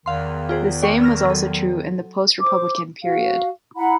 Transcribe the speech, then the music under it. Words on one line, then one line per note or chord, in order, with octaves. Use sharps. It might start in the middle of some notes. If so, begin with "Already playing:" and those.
The same was also true in the Post-Republican period.
E2 D#3 F5 C6
F4 G#4 C5
D5 G5 C#6
E6 F6 A#6
F#3 A4
C5 D6
F#4 F5
E4 F#5 A#5 B5